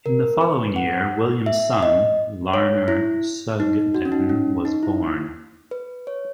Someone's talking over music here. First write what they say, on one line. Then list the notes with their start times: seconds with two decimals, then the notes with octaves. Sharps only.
In the following year William's son, Larner Sugden, was born.
0.06 A#4
0.41 B4
0.76 F#5
1.46 E5
1.83 D#5
2.54 C#5
2.88 E4
3.60 D#4
3.94 F#4
4.05 C#4
4.12 D#4
4.29 C#4
4.65 D#4
4.83 E4
5.71 B4
6.07 C#5